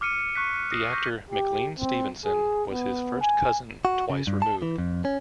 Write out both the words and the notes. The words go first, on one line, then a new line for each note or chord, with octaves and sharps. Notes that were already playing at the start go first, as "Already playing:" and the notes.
The actor McLean Stevenson was his first cousin twice removed.
D6 F6 C#7 D#7
C#6 F#6 B6
D#6 A#6 C7
C#6 G6 A#6
G4
C4
G#4
B3
G#5
F#4
C#3
G2
A5
E3
F2
C#4